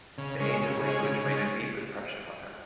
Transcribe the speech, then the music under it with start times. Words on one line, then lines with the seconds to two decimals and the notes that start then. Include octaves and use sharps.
The Ainu language made a deep impression on her.
0.18 C#3
0.40 G#3 C#4
0.61 C#3
0.83 G#3 C#4
1.04 C#3
1.25 G#3 C#4